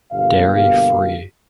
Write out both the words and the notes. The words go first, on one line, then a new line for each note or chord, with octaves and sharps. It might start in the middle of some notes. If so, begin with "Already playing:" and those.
Dairy free.
G1 B2 A#3 G4 F5